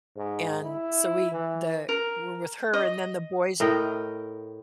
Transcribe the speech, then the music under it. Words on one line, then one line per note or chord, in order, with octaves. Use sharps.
And so we the were with her and then the boys
G#2
E4
E3
A#4
D#5
A2 A#4 D#5 G5